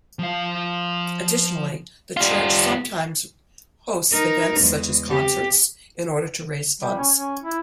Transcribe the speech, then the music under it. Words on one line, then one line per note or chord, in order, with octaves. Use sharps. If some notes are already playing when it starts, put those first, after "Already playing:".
Additionally, the Church sometimes hosts events such as concerts in order to raise funds.
F3 F5
G3 F4
D#4 A#4
E2 G#3
C3 G4
G3
C#4
C#4
E4